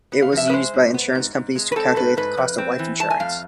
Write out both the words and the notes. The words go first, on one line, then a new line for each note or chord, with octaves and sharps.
It was used by insurance companies to calculate the cost of life insurance.
B3
F5
F3 E5
B4
G#3 C5
G#2
B3
G#2
G#2
G#3
B4
C4 A4
G#2 B4
G#2 B4
F2
C4
E3
A3 A5
G#5
F2 F5